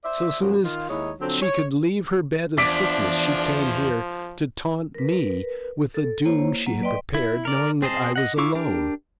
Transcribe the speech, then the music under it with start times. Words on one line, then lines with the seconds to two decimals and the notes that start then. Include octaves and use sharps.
So soon as she could leave her bed of sickness she came here to taunt me with the doom she had prepared, knowing that I was alone.
0.04 C5 D5 E5
0.40 F#2 B2 F3 F#3
0.63 D#3 D#4 F4
0.88 D#2 G#3 D#4 E4 C#5
1.20 D3 F3 F#3 C4
1.41 C#5
2.58 E2 F3 D4 D6 B6 D7
4.94 A#4 B4
5.94 A4
6.26 A#3 E4 C5 C#5
6.66 F#3 A#3
6.82 B4 D5 D#5 G5 C6
7.14 E4
7.45 A#4 D5
7.82 C4 G#4 C5 D#5 A5
8.16 D#5 F#5
8.38 E4 F4 C#6 D6 E6
8.55 D4 G4 A#4